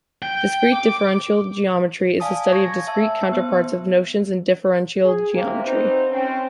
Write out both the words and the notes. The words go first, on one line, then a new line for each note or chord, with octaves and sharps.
Discrete differential geometry is the study of discrete counterparts of notions in differential geometry.
G5
D6
D5 F5 G#5 A5 D#6
C#5 C#6 G#6 A#6
E5 A5 E6
B3 C5
G#4
C3 A#3
C4 D#4 F#4 B4 C5
C4 C#4